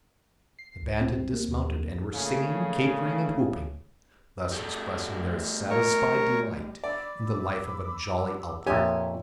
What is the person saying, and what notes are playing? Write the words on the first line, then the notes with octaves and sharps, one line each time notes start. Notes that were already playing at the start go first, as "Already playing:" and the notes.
The band had dismounted and were singing, capering, and whooping, thus expressing their satisfied delight in the life of a jolly outlaw.
C7
C#2
C4
A#3
D#2
A#2 C#3 A3 G#4
G3 A3
A#4 C#5
D5 B5 D6 E6
F2 A#2 G4 C#5 E5 G#5